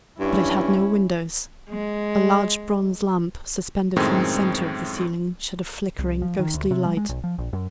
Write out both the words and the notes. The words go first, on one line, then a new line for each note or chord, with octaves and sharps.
But it had no windows--a large bronze lamp, suspended from the centre of the ceiling, shed a flickering, ghostly light.
G2 C#4 E4
G#3
F#2 A2 D#3 G#3 C4
C2
F3
D#3
D2
C3
G3
G#3
B1
F3
A#1
F#2